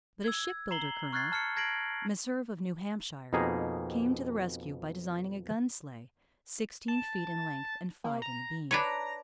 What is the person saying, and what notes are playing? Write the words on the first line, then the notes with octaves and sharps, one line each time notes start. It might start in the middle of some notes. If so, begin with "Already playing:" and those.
But a ship-builder colonel, Meserve of New Hampshire, came to the rescue by designing a gun-sleigh, sixteen feet in length and five in the beam.
E6 G#6
A#5 C7 F#7 G7
C#6 F6 F#6 G#6 A6 C7
A5 F6 C7 C#7
A5 G#6 A#6 C7 D7 F#7
F2 B2 A#3 D#4 G#4 A#5
A5
A#3
A#5
D4 B4 C#5 A#5